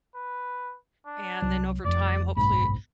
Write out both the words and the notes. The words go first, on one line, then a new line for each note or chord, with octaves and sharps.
and then over time, hopefully,
B4
D4
C2 F#3
F1 F2 D5
F#1 B1 G#2 B5